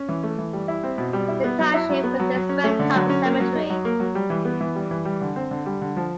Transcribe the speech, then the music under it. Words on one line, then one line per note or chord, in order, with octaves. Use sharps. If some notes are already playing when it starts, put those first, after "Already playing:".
The township contains Redtop Cemetery.
Already playing: C#4
E3
A3
E3
G3
E4
C4
B2
G3
E4
B3
F#3
E4
F#3
B3
F#3
F#3
C#4
A3
D3
F#3
C#4
A#3
F#3
D#4
F#3
A#3
F#3
G3
E3
B3
E3
G3
E3
G3
D3
C4
D3
G3
D3
F3